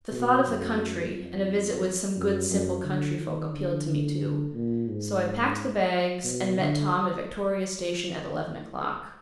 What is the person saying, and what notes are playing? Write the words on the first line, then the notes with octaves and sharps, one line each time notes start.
The thought of the country and a visit with some good simple country folk appealed to me too, so I packed the bags and met Tom at Victoria Station at eleven o'clock.
B2
F#2
F2
F#2
F#2
D3
D#3
D3
D3
A#2
G#2
B2
D3